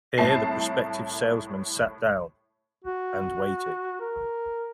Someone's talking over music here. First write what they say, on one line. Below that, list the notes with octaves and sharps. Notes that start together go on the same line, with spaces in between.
Here the prospective salesmen sat down — and waited.
C2 A2 E4 A5 C7
F#4
A#4